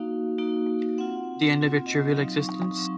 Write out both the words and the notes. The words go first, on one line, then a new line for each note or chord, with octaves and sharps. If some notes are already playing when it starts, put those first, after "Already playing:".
The end of your trivial existence?
Already playing: A#3 D#4 F#4 F5
A#3 D#4 F#4
C4 F4 F#5
C4 F4
D#5
F#3 C4 D#4 F5
C#6
D#6
F#3 C4 D#4 C#6